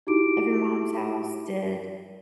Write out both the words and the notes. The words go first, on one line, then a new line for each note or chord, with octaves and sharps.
of your mom's house, did
D#4 E4 F#4 G4 D6 D7